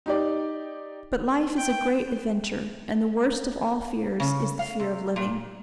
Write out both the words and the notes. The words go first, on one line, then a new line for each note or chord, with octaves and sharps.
But life is a great adventure, and the worst of all fears is the fear of living.
D#4 G4 D5
G5
C#3
F5
C3
A#2